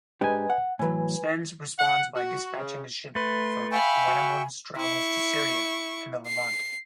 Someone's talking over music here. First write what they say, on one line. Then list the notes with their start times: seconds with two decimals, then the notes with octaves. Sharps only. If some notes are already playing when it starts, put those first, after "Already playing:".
Smendes responds by dispatching a ship for Wenamun's travels to Syria and the Levant.
0.21 G#2 D4 G4 B4 D#5 G#5
0.50 F#5
0.79 A2 E3 F#3 B4 G#5
1.79 F#5
2.16 F#4
2.58 C#3
3.15 A3 B4 C6
3.72 E5 F5 G5 G#5 B5 C#6
4.08 F#4
4.77 E4 C#6
6.26 C7